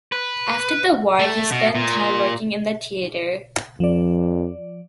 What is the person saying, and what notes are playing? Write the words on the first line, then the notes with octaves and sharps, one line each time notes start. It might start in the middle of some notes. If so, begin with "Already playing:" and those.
After the war, he spent time working in the theatre.
B4
A3
B2
A#2
F2 F3 D5